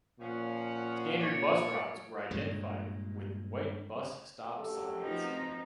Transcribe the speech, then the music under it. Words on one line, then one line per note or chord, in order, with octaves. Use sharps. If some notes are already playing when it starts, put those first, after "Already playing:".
Standard bus routes were identified with white bus stop signs.
A#2 F3 C#4 F#5
C#5 D5
G2 A#2 G#3
F#2 F#3 A3 G4 A4
F3 A3 C4 D#4 F#4 B4 D#5 A#5